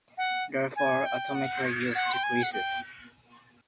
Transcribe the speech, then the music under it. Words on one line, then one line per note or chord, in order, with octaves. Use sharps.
Therefore, atomic radius decreases.
F#5
G#5
G5
F#5
F#5
G5
G#5
F#5
G5